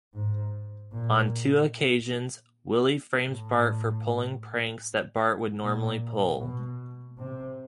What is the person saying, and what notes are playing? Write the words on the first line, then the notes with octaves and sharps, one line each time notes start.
On two occasions, Willie frames Bart for pulling pranks that Bart would normally pull.
G#2
A#2
A2
A#2
B2
C3